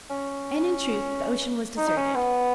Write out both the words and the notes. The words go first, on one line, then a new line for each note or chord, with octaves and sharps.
And in truth, the ocean was deserted.
C#4
D#4
D#4
C#4
B3